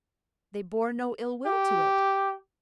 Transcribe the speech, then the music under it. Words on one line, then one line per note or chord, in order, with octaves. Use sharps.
They bore no ill-will to it.
G4